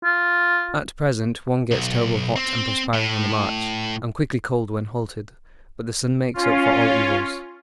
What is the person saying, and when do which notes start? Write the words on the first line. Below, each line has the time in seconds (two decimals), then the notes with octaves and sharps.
At present one gets terrible hot and perspiring on the march, and quickly cold when halted, but the sun makes up for all evils.
0.05 F4
1.71 B1
2.36 C4
2.94 A2
6.34 C#4 F4